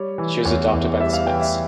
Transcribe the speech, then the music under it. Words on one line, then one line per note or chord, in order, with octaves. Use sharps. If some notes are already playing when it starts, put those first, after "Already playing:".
She was adopted by the Smiths.
Already playing: G3 C#5
E3
E2 C#5
E2
G3 E5
F5
E3 G5
E5